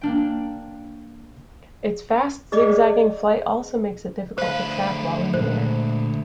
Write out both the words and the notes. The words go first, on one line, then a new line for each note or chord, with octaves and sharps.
Its fast, zig-zagging flight also makes it difficult to track while in the air.
A#3 D4 G5
G#4 D5 D#5 D6
D2 B4 C5 F5
A#2 G#3 C5